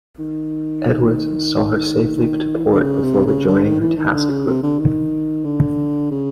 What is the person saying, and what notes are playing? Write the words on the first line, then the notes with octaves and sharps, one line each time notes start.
"Edwards" saw her safely to port before rejoining her task group.
D#3
D#3
E3
D#3
D3
C#3
C3
C#3
D3
D#3
E3
D#3
D3
C#3
C3
D3
D#3
D3
C#3